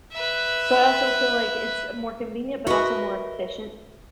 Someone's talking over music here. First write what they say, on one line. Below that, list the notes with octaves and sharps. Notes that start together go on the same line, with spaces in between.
so I also feel like it's more convenient, but also more efficient
B4 E5
F#4 A#4 B4 D#5 E5